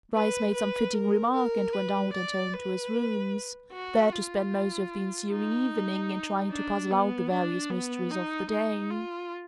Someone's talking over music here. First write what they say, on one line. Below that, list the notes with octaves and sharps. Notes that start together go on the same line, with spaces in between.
Bryce made some fitting remark and went out and home to his rooms--there to spend most of the ensuing evening in trying to puzzle out the various mysteries of the day.
B4
B4
A#4
A#4
B4
D5
B4
F#4
F4
D#4
D4
B3
D4
B3
D#4
D#4
F4